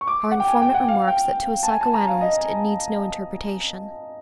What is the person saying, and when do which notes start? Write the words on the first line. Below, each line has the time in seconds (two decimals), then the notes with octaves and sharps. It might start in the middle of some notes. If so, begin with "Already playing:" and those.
Our informant remarks that to a psychoanalyst it needs no interpretation.
0.01 C#6
0.07 D6
0.31 F#5
0.40 G5
0.47 G#5
0.62 G5
0.74 F#5
0.88 F5
1.08 G5
1.63 A5
1.68 G#5
1.81 A5
1.94 A#5
2.07 F5
2.21 D#5